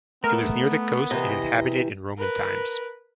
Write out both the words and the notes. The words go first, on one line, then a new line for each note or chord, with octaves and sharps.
It was near the coast and inhabited in Roman times.
A3 B3 A#4
C3 E3 D#5
A#4 B4